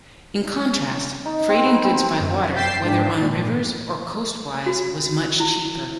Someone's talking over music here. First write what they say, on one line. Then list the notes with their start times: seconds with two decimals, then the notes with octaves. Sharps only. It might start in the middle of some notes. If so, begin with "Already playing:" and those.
In contrast, freighting goods by water, whether on rivers or coastwise was much cheaper.
1.25 D#4
1.49 C4
1.65 B3
1.84 C4
2.20 F#2
2.54 G5 G6 A6 B6 C7 E7
2.83 G#2 D4
3.20 A#2
4.66 F#4
5.40 E4